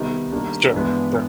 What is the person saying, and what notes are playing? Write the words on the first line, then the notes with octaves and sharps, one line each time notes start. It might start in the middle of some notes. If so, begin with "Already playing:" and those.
It's true, sure.
Already playing: C3 D#3 G3 B3 D#4
D#3 G3 A#3 D4
G2 E3 G#3 B3